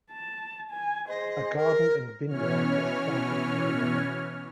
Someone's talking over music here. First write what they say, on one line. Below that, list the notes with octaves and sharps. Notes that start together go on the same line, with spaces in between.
A garden and vinyard were started near the river.
A5
G#5
G#4 C5 D#5
A#4
B2 E3 C#4 C#5 F6